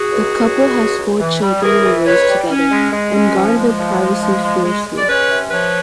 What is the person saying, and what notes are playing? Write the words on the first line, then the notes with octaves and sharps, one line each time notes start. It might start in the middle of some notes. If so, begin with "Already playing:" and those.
The couple has four children they raise together, and guard their privacy fiercely.
Already playing: F#4 G#4
C#2
C#2
C#2
C#2
C#2
E3
G3
E3 G#4 A#4
E3
C#2 B4 C#5
G3
C#4
G#3
G#3
C#4
F3
G#3
F3
G#3
F3
G#3
G#3
G#3
D5
C#4 B4 C#5
C3
F3 B4 C#5